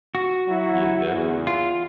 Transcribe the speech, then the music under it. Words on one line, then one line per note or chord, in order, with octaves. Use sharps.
Yeah, definitely.
F#4
F#3 E4
E2
F4